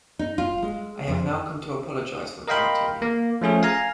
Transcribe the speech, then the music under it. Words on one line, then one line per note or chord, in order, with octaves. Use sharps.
I have now come to apologize for doubting you.
D#4
F4
G#3
F2
A#4 D#5 F5 G5 B5 C6
A#3
F3 A3 C#4 G#4
F5 G#5 A#5